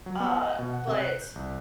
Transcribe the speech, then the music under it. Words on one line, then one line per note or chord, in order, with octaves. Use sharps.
Uh, but
F#3
B3
D#5
B2
F#5
C3
F#6
G6
C2